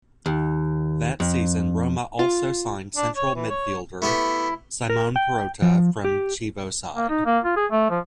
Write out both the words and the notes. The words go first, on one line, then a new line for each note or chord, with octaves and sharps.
That season, Roma also signed central midfielder Simone Perrotta from Chievo side.
D#2
F2
F4
D4
C#5
E3
C#5
A3 B3 E4 G4
A#4
G5
F3
G4
A#3
D#4
A#3
F4
G#4
A3
F3